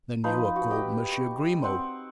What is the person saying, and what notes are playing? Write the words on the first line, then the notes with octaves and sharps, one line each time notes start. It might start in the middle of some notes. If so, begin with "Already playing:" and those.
"Then you are called Monsieur Grimaud?"
F3 D#4 B4
F#4
G4 D#5
C#6
C4 F#5